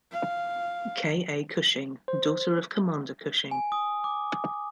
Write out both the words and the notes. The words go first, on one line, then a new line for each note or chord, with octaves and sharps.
K. A. Cushing, daughter of Commander Cushing.
F5
C5
G#5
D#6
D6